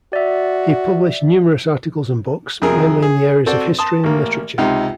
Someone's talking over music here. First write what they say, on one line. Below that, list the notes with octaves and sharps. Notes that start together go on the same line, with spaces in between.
He published numerous articles and books, mainly in the areas of history and literature.
F#4 D5 E5
F2 C3 G#4 A#4
G#4
C4 F#4 A4 C5 D5
A5 C6 D#6
A1 A#3
C#2 C3 D#4